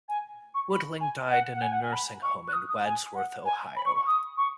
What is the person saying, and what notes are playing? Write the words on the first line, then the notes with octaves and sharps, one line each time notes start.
Woodling died in a nursing home in Wadsworth, Ohio.
G#5
C#6
B5
G#5
F#5
F#5
G#5
F#5
G#5
B5
C#6
F#6
D#6
D#6
G#5
F#5
G#5
B5
C#6
C#6
D#6
C#6